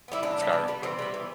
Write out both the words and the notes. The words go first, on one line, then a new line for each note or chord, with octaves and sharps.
Skyrim, but,
G3 B3 E4
E3 D4
G3 B3
E3
G3 B3
E3 C4
G3 B3
E3